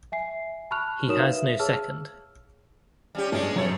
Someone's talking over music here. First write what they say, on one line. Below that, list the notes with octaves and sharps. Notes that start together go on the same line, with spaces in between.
He has no second.
E5 G#5 C7
A5 B5 C#6 F6 F#6 F7
D#4 F#4 A#4 C#5 D#6 E7
B4 E5 F5
G#4 C#5 A5 E6 F6
G3 C#4 G4
G1 G#3 C#4 D4
F#2 B2 A3 C#5